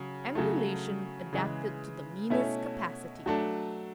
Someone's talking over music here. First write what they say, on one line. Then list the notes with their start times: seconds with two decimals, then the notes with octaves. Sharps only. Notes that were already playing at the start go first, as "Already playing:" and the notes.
Emulation adapted to the meanest capacity.
Already playing: C#3 F#3
0.35 C#3 F#3 A3
1.33 C#3 E3 G#3
2.30 B2 A3 C#4 E4
3.26 F#3 A3 D4